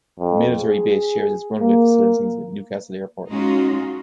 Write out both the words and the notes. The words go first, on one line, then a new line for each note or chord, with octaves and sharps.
The military base shares its runway facilities with Newcastle Airport.
F2
G#4
A#3
G#3 C#4 D#4 F4 F#4